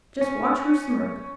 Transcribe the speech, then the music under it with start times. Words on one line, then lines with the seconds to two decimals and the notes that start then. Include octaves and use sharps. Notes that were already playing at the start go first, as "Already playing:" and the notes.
Just watch her smirk!
0.21 C#4